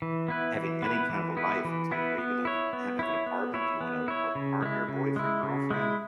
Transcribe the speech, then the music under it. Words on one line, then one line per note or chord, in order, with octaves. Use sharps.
having any kind of a life, it's, like, are you gonna have have an apartment? Do you want a a partner, boyfriend, girlfriend?
E3
B3 E4 B4
E3
B3 E4 B4
E3
B3 E4 B4
E3
B3 E4 B4
B3
E4 C#5
B3
E4 C#5
B3
E4 C#5
B3
E4 C#5
C#3
G#3 E4
C#3
G#3 E4
C#3
G#3 E4